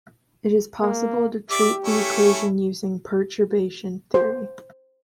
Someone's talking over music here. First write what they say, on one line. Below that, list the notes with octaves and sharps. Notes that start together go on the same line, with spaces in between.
It is possible to treat the equation using perturbation theory.
A#3
G4 D5 E5 D6
A3 C#4 E4
C5